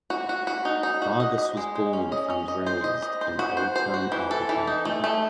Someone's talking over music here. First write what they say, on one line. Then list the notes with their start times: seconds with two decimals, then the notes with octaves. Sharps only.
Vargas was born and raised in Old Town Albuquerque.
0.10 F#4
0.29 F#4
0.47 F#4
0.65 D#4
0.83 D#4
1.02 F#4
1.20 D#5
1.38 D#5
1.57 G#3
1.75 G#3
1.93 C#4
2.12 D#5
2.30 C#4
2.48 D#5
2.66 C5
2.84 D#5
3.02 D#5
3.21 C5
3.39 F#4
3.57 C5
3.76 C5
3.94 F#4
4.12 E3
4.31 A4
4.49 E3
4.67 D#4
4.85 A3
5.04 A3